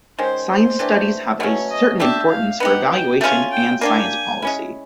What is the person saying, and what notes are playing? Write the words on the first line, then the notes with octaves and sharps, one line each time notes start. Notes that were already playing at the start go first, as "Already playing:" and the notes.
Science studies have a certain importance for evaluation and science policy.
D#3 G#3 C#4 C5
C5
E3 A3 D4 G4
B2 F#3 A3 C#4 C#5
D#5
A3 D4 G4 E5
F5
B3 D#4 G4 F#5
G5
A3 C#4 F4 G#5
G5
A#3 D4 G4 G#5
G#3 C#4 E4